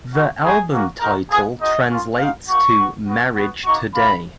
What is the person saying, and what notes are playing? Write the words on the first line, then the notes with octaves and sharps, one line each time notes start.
The album title translates to "Marriage Today".
G#3 D#4 F#4
G#3 B3 D#4 F#4 G#4
A#3 C#4 F#4
G#3 D#4 F#4 A#4
B3 F4 G#4
G#3 D#4 F#4 D#5
A#3 C#4 F4
G#3 D#4 F#4 F5
A#3 D#4 F#4 C#6
B3 F#4
B3 F#4
B3 F#4
A#3 D#4 F#4 C#6
A#3 F4 B5